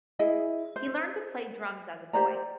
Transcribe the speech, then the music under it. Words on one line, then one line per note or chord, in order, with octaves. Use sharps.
He learned to play drums as a boy.
E4 G#4 D#5
C5
G4 C5 D5 A#5